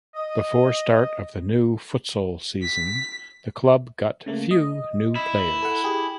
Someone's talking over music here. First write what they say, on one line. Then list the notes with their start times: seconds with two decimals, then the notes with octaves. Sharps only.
Before start of the new futsal season the club got few new players.
0.15 D#5
2.62 B6
4.26 C#3 A3 A#3
4.51 D#5
5.15 E4
5.62 A4 F#5
5.84 G4 G#4